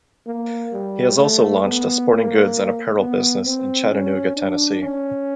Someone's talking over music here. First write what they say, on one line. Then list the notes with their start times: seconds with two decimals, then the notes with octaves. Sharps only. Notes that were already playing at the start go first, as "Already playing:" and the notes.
He has also launched a sporting goods and apparel business in Chattanooga, Tennessee.
0.27 A#3
0.73 G3
1.18 A3
1.63 B3
2.09 A#3
3.00 B3
3.46 C4
3.91 C#4
4.36 D4
4.82 C#4